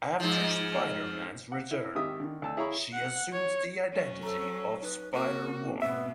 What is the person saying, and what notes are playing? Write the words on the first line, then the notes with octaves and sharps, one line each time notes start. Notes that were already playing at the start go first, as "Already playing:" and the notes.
After Spider-Man's return, she assumes the identity of Spider-Woman.
G#2 F3
F#5
E4
G#1 D#3 G4 E5 D#6
D3 D#3
D2 A5 E6
E4 G#4 C#5 A#5 B5 C#6
F#5
C#5
F#3 C#4
A4 C5 A#5
D#4 B4
A#3 C4 F#4 A#4 D6
G#2 B2 B3 E5